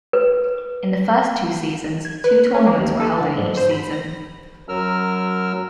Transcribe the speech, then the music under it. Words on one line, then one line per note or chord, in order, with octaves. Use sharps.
In the first two seasons, two tournaments were held in each season.
B4
G#6
B4
C#4
A#3
D#2
A4
D3
G#2
C5
B5
A#6
F#2 F#3 A#4 E6 F6